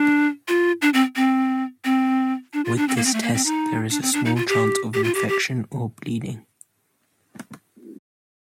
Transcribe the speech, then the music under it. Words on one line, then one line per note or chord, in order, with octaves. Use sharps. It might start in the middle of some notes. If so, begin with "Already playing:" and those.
With this test there is a small chance of infection or bleeding.
Already playing: D4
F4
D4
C4
C4
C4
D4
F4
D4
C4
A#3
C4
A3
A#3
C4
D#4
D4
C4
D4
D#4
F4
G4
G4
F4
G4
G4